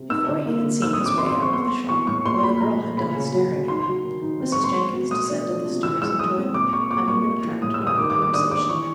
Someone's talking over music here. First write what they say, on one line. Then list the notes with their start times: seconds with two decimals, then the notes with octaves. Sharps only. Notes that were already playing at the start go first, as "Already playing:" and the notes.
Before he had seen his way out of the shock, or the girl had done staring at him, Mrs. Jenkins descended the stairs and joined them, having been attracted by the conversation.
Already playing: C3
0.10 D#4 E6
0.29 D3
0.46 A#3
0.63 D3
0.82 D#4 E6
0.93 D#6
0.99 C4
1.06 D6
1.18 C4 C6
1.30 C6
1.36 C4
1.42 C#6
1.53 B3 C6
1.72 B3
1.89 E3 C#6
2.07 A2 C#6
2.26 A#2 C6
2.43 A#2 B5
2.61 A3 A#5
2.79 A#2
2.97 C#3 B5
3.15 C#3
3.32 F#3
3.51 C#3
3.68 D#4 C6
3.86 F#3
4.04 D#3
4.22 D#4
4.40 C4
4.52 C#6
4.58 G#3
4.64 C6
4.76 C4
4.93 B2
5.11 A3 D#6
5.30 D4
5.48 F3
5.65 C3
5.83 E3 E6
6.01 G#3 E6
6.19 G#3 D#6
6.37 C4
6.54 A#2 D6
6.73 A#2 C#6
6.90 A#2 D6
7.08 A#3 C#6
7.26 G3
7.44 E3
7.62 A2 D#6
7.74 E6
7.80 G3
7.87 D#6
7.98 D#3 D6
8.10 D6
8.16 G3
8.22 D6
8.34 D4 D#6
8.51 D4 D6
8.69 E3 C#6